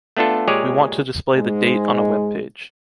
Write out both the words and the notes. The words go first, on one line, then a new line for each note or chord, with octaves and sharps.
We want to display the date on a web-page.
A3 B3 D4 F4 A4
A#2 G#3 G4 G#4 C#5 D5
G#2 G#3